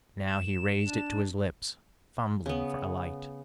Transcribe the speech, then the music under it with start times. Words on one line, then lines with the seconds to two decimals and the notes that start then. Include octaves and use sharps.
Now he raised it to his lips, fumbling for a light.
0.27 E7
0.83 D4
2.46 C#3 B3